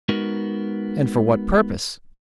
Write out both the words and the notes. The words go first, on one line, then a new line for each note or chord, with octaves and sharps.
And for what purpose?
G#3 B3 D#4 F#4 A#4